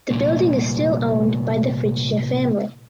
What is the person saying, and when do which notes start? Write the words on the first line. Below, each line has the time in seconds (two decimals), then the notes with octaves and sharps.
The building is still owned by the Fritzsche family.
0.10 C2 A#2